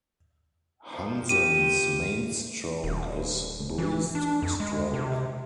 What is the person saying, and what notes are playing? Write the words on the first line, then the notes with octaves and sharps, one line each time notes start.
Hansen's main stroke is breaststroke.
A#2 F3
F4 G4 D#7
D#1
E3
D4
F2
G#3
C3